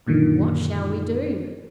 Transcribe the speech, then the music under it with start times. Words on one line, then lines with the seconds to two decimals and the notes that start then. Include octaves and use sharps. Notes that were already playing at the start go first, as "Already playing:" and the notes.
What shall we do?
0.07 F#2 A#2 D3 D#3